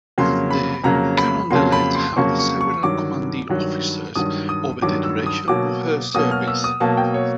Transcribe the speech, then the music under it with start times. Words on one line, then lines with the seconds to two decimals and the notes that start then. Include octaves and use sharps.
The "Carondelet" had several commanding officers over the duration of her service.
0.18 F2 C#3 F#3 A#3 C6
0.51 B5
0.84 F2 C#3 F#3 A#3 A#5
1.17 B5
1.50 F2 C#3 F#3 A#3 C6
1.72 B5
1.95 C6
2.16 F2 C#3 F#3 A#3 C#6
2.39 C#6
2.61 C#6
2.83 G2 D#3 F#3 D6
3.49 G2 D#3 F#3
4.15 G2 D#3 F#3 D#6
4.49 D#6
4.82 G2 D#3 F#3 D6
5.04 E6
5.26 D#6
5.48 B2 F#3 A#3 D6
6.14 B2 F#3 A#3 D#6
6.31 F6
6.48 E6
6.64 D#6
6.80 B2 F#3 A#3 A5
6.97 G5
7.14 C#5